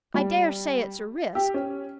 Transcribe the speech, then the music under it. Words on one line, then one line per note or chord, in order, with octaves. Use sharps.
I dare say it's a risk.
G3
G4
C#4